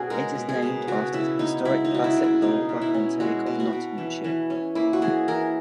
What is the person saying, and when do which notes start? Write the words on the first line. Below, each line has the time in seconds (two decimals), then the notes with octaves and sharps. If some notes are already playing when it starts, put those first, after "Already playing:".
It is named after the historic Bassetlaw wapentake of Nottinghamshire.
Already playing: B2 C#4 F#4 G#4
0.10 G#3 A#4
0.35 B2
0.49 G#4
0.62 B2
0.87 C#3 F#4
1.13 C#3 E4
1.39 B3 D#4
1.65 G#3 E4
1.85 D#4
1.91 C#3 F#4
2.04 E4
2.17 C#3
2.24 E4
2.42 B2 D#4
2.69 B2
2.81 E4
2.94 C#4
3.20 G#3 F#4
3.46 B2
3.60 F#4
3.73 B2
3.98 E3
4.24 E3
4.50 C#4
4.75 A#3 E4
4.93 F#4
5.02 E3 G#4
5.28 E3 A#4